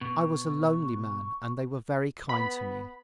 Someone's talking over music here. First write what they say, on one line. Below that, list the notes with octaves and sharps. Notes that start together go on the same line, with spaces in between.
I was a lonely man, and they were very kind to me.
B2 C#6
B3 B5